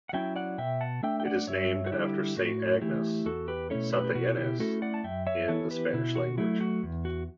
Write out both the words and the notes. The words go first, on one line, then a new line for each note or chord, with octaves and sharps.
It is named after Saint Agnes, "Santa Ynez" in the Spanish language.
F#5
F#3 C#4 E4 E5 G5
D5 F#5
B2 E5 G5
F#5 A5
A3 D4 E5 G5
G5
D5 F#5
G2 C#5 E5
F#4
D3 G3 E4 G4
A2 F#4
E3 A3 E4 G4
E2 F#4 A4
G4 B4
B2 A3 C#4 E4 A4 C#5
G4 B4
G4
B2 F#4
E4 G4
A3 C#4 E4 F#4 A4
D5 F#5
A5
F#2 E5 G5
C#5 E5
E3 B3 E4 A4 C#5
G4 B4
B2 E4
F#4
F#3 A3 E4
F#4
E2
F#4